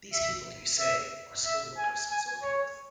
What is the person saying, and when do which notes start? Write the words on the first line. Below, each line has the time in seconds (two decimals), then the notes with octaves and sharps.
These people, you say, are skilled workers and so forth.
0.13 E5
0.79 E5
1.45 E5
1.78 G#5
2.10 G#5
2.43 C#5